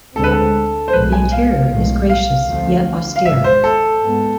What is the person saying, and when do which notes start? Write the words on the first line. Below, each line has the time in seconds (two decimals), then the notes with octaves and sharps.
The interior is gracious yet austere.
0.16 D2 D3 G#3 C4 A4
0.24 B4
0.31 A4
0.88 C5
0.93 B1 A2 F3 G#3 B4
1.12 G#5
1.32 F5
1.71 B1 A2 G#3
2.09 F5
2.47 D2 D3 F3 A3 C4
3.16 F5
3.25 G#1 G#2 G#3 E5
3.44 C5
3.64 A4
4.02 G#2 G#3 B3